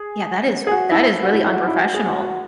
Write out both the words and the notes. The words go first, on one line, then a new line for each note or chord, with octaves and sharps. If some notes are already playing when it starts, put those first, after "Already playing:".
Yeah, that is that is really unprofessional.
Already playing: G#4
G#4
F#4
E4
F#4
E4
E4
F#4
E4
F#4
G#4
F#4
F#4